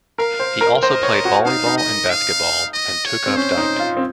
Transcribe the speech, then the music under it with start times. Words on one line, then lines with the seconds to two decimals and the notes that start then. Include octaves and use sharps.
He also played volleyball and basketball and took up diving.
0.18 A#4 F5
0.39 C5
0.61 A#4
0.83 C5 D#5
1.03 C#5
1.25 F#4
1.45 D#4 F5
1.67 D#4
1.78 D#5
2.10 F5
2.74 D#5
3.06 C#5
3.26 C4
3.37 C#4 C5
3.58 D#4
3.79 F4
3.97 C4